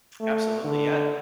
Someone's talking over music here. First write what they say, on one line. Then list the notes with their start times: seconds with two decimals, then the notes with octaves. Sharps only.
Absolutely. Yeah.
0.20 A3
0.64 D3